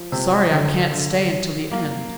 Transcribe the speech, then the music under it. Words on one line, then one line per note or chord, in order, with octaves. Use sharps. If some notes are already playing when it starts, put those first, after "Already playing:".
Sorry I can't stay until the end.
Already playing: F3
C3
D3
D3
A#3